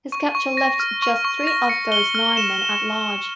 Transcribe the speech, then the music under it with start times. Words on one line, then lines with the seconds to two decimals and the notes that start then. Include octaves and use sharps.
His capture left just three of those nine men at large.
0.12 C#6
0.35 C#6
0.57 A#6
0.80 F6
1.02 C#6
1.25 C#6
1.47 A#6
1.69 C#7
1.92 G7
2.15 F6
2.37 E7